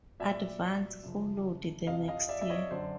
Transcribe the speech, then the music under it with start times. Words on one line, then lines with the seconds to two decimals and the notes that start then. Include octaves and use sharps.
"Advance" followed the next day.
0.20 A#2 F#3 D5 E5
1.03 F#2 C#3 F3
1.87 F2 C3 F3 D#5 F5
2.08 D#5 F5
2.29 D5 E5
2.42 E5
2.50 C#5 D#5
2.71 F#2 D3 F#3 C5 D5